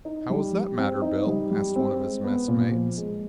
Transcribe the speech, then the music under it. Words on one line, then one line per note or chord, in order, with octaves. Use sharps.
"How was that matter, Bill?" asked one of his messmates.
D#4
G3
G3
C4
D#4
G3
G3
C4
G#3
B3
A#2
F3
G#3